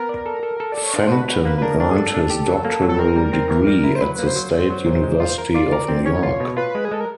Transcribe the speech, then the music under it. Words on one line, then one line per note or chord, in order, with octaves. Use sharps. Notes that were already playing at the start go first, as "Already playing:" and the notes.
Fenton earned his doctoral degree at the State University of New York.
Already playing: B3 A#4
D5
A4
A4
A4
D5
A4
C#5
D4 C5
C5
F#4 B4
F#4 B4
A#3 B4
B4
D4 A#4
D4 A#4
G#4
D4 A4
D4
G4
F#3
A#3
F#3
A4
C4 A#4
G3
C4
E3
G3
E4
C5
F#3 B4
A#3 B4
C5
F#3
F#3
F#3
A#2
G#3
F4
A#4
F4 D5
A#4
C4
C#4 C#5
F4
B2
F4 B4
G#3
G#4
G#3 A4
A#4